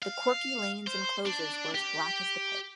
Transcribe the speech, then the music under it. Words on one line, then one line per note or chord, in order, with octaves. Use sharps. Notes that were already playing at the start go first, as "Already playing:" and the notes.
The quirky lanes and closes were as black as the pit.
F5
C5
D4
G4